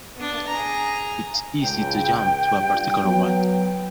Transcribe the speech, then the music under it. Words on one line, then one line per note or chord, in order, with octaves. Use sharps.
It's easy to jump to a particular one.
B3 D4
G#4 A#5
C#2 G5
G2 F4
F#3 B3